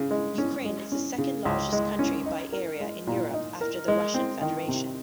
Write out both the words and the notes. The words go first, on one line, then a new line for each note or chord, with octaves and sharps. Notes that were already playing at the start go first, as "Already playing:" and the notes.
Ukraine is the second-largest country by area in Europe after the Russian Federation.
Already playing: C#3
G#3
C#4
G#3
C#4
C#3
C#2
G#3
C#4
D#4
A#4
G#3
A#2
D#4
A#4
G#3
C4
D#3
C3